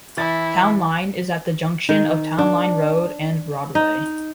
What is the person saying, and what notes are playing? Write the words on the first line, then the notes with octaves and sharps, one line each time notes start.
Town Line is at the junction of Town Line Road and Broadway.
E3 E4 A6
D#3
D4
D#4